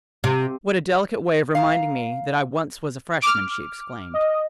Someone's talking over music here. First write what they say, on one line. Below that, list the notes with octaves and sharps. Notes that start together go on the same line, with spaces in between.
"What a delicate way of reminding me that I once was a freshman!" she exclaimed.
C3
F5 A#5
D6 F6
D#5